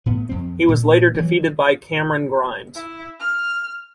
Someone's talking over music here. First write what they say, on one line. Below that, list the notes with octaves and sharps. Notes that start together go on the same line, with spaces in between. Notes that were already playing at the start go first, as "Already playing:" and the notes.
He was later defeated by Cameron Grimes.
A2 B3
F2 C4
A#2
E3 F#3
E4
F6